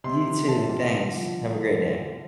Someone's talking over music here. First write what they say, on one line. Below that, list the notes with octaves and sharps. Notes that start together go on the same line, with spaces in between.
You too, thanks, have a great day.
C3 C6
E3
C3 A5
G3
D3
F3